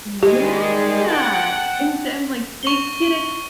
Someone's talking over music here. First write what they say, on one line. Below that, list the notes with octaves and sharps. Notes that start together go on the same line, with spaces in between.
yeah, and I'm, like, they get a
D#3 G3 G#3 G4
F#5 G5 A5
C#6 G7